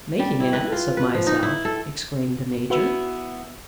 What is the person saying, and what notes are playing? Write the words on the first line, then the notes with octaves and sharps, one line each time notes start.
"Making an ass of myself!" exclaimed the Major.
G3
E4
B4
F4
B4
F3
D#4
E4
A4
B3 E4 F#4 B4